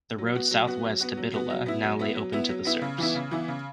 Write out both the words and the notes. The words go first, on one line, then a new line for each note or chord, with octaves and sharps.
The road southwest to Bitola now lay open to the Serbs.
F#3
B3 F#4
F#3
B3 F#4
F#3
B3 F#4
F#3
B3 F#4
F#3
B3 E4
F#3
B3 E4
F#3
B3 E4
F#3
B3 E4
C#3
E3 B3 E4
C#3
E3 B3 E4
C#3